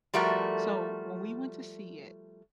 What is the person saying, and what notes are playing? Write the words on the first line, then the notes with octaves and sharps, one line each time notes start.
So when we went to see it,
F3 G3 A3 F#4 A#4